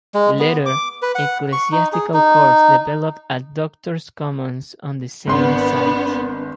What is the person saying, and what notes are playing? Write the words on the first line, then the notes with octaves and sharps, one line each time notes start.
Later, ecclesiastical courts developed at Doctors' Commons on the same site.
G#3
B3
D6
B4
F#5
C#6
D#4
G#4
D#4
G#1 B3 D4 C6